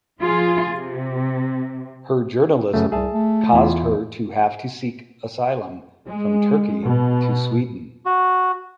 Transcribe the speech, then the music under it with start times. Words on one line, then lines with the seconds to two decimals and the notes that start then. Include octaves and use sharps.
Her journalism caused her to have to seek asylum from Turkey to Sweden.
0.21 F3 F4 G#4
0.73 C3
2.74 F#2 C#3 A3
2.92 C2 G#4 E5 A5
3.13 A3
3.53 E2 E4 F4
6.06 G#3
6.83 B2
8.06 F#4